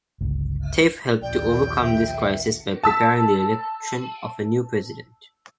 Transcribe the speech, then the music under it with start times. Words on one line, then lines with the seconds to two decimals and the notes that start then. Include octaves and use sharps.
Taif helped to overcome this crisis by preparing the election of a new president.
0.21 G1 C#2
1.22 A#1 D#2 D5 G5
1.83 E5
2.83 A5 E6 B6